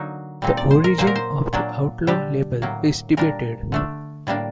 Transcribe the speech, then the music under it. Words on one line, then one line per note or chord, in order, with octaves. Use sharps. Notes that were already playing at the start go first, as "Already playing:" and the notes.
The origin of the outlaw label is debated.
Already playing: D3 F#3 A#3 D#4 F#4
A#2 G3 C4 D#4
D5
C5
A#4
A#2 F#3 A#3 C5
A#4
C5
A#2 F#3 A#3 D4
D3 G3 D4 G4
A2 F#3 A#3
A#2 G3 D4 A#4
D3 A3 D4
A2 G3 A#3 D4